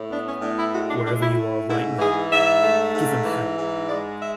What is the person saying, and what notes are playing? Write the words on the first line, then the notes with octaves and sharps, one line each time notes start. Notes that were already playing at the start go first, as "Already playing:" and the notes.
Wherever you are right now, give 'em hell.
Already playing: A2
B3 D4
C#4
A2 D4
E4
G#3 F#4
D4
A2 D4
E4
A3
G#2 E4
E3 G#4
G#2 E5
A3
G#2
E3
G#2
G#3 D5
E5